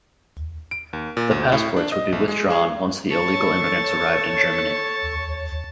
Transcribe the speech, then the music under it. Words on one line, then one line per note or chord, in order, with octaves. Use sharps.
The passports would be withdrawn once the illegal immigrants arrived in Germany.
D7
D#2
A#2
D2
A2
D4
D#5
A#1
G#3
G#4
A4 C#5 A5 C#6 A6